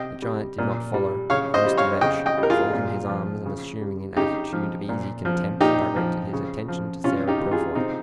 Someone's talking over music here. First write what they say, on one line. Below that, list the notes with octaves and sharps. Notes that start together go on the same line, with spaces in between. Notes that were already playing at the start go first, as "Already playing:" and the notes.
The giant did not follow; and Mr. Vetch, folding his arms, and assuming an attitude of easy contempt, directed his attention to Sarah Purfoy.
Already playing: C3 D#5 G5
G3
A#2
G3
C#3 C#5 F5
C5 D#5
G3
C#5 F5
C#3 D#5 G5
D#5 G5
G3
A#4
F4 G#4
A#2
F3
C#3
G3
C#3 D#4 G4
F3
A#2
F3
A#2 D#4 G4
F3
C#3
F3
C3 C#4 F4
D#4 G4
D#3 G3
F4 G#4
C3 C4 D#4